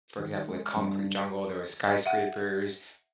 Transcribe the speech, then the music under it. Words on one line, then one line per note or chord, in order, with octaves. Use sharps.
for example, a concrete jungle. There were skyscrapers,
D#3
G#3
G2
E5 F#5